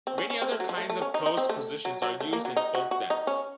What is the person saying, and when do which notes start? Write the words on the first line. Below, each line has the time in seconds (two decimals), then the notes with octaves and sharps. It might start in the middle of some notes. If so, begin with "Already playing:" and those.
Many other kinds of closed positions are used in folk dance.
0.07 C4
0.18 C#4
0.30 C#4
0.42 C4
0.52 A3
0.60 F#3
0.69 F3
0.78 A3
0.90 A3
1.02 C#4
1.14 D#4
1.26 D#4
1.37 C4
1.49 A3
1.85 F#3
2.02 F#3
2.20 A3
2.33 A#3
2.45 F#3
2.57 D#4
2.75 F#4
2.91 F#4
3.10 D#4
3.27 C#4